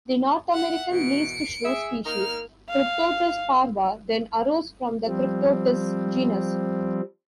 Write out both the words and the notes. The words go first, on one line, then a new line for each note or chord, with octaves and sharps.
The North American least shrew species, "Cryptotis parva", then arose from the "Cryptotis" genus.
E5 F#5
B2 E3 C#7 D7
G#4 E5
A#3 D#4 A#4 F6
F5
F3 G3 C4